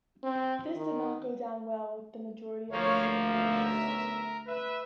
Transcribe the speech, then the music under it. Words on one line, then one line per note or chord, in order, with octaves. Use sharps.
This did not go down well with the majority of the Singaporean public.
C4
D#3
D2 F3 A#3 C#5 F5
B1 E5
A#4
B4 E5